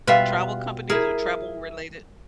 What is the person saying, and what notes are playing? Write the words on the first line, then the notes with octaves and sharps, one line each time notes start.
travel companies or travel-related?
B2 G3 F4 B4 E5 F5
E4 G#4 A#4